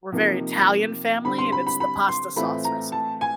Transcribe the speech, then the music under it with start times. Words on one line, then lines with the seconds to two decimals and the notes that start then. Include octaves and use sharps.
we're very Italian family and it's the pasta sauce recipe.
0.12 C3 F3 A#3 D#4
1.25 D3 G3 C4 B5
1.38 C6
1.52 B5
1.67 B5
1.80 B5
2.08 C6
2.36 A2 E3 A3 C4 F4 B5
2.65 A#5
2.92 A5
3.21 G#5